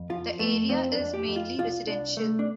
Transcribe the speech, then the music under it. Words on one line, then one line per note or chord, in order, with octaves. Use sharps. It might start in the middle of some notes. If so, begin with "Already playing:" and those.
The area is mainly residential.
Already playing: F2
F3 F4
F2 A3
F3 C4
D4
F2
G4
F2
F4
C2 F4
C2 D4
C2 A3
D4